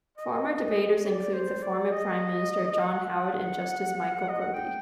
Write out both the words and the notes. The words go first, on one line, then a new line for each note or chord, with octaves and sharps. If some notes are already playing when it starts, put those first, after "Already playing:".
Former debaters include the former Prime Minister John Howard and Justice Michael Kirby.
D#5
D5
C5
D5
D#5
D#5
F#5
D#5
F#5
G5